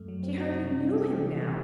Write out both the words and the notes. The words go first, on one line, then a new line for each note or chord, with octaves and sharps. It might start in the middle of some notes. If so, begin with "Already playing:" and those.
She hardly knew him now!
Already playing: F#2 A3
F#3
C4
F#4
C3
G3
C4
G4
C3
E3
G3